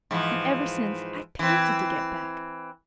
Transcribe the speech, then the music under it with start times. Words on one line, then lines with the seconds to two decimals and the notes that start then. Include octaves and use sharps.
And ever since, I've panted to get back.
0.11 G#2 E3 F3
1.39 E3 C4